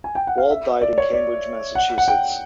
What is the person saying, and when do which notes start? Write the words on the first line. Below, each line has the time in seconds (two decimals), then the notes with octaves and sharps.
Wald died in Cambridge, Massachusetts.
0.04 G#5
0.15 G5
0.27 F#5
0.38 F5
0.50 E5
0.81 D5
0.98 C#5
1.13 D5
1.75 F#5
1.98 F#5
2.08 G5